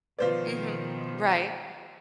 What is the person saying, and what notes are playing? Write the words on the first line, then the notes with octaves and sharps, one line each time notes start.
Mhm, right.
B2 D#3 F3 F4 B4 C5 D5